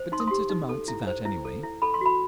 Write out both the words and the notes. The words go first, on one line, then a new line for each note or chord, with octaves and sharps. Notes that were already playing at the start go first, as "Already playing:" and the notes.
"But didn't it amount to that anyway?"
Already playing: C5
D#4 C6
D#6
G4 C6
D#4
A4
E4
C5
E4
A4
E4
A4 B5
C6
F#4 B5